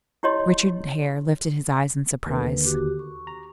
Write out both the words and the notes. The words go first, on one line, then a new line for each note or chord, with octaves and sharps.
Richard Hare lifted his eyes in surprise.
E4 G4 C#5 D#5 C6
D#2 D3 A#4 B4
F#4 G4 D6
C#6
A#5